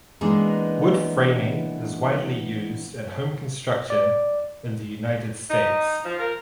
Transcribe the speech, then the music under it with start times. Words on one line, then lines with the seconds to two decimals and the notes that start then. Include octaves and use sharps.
Wood framing is widely used in home construction in the United States.
0.21 E3 G#3 A#3 B3 D4 D#4
3.90 D5
5.49 D#4
6.04 F3
6.19 A#4